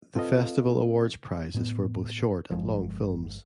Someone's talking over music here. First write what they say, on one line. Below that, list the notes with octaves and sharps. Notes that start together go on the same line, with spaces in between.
The festival awards prizes for both short and long films.
C4 F4 A4 B4 D#5 F5
A2 B3
G1 F3 G#3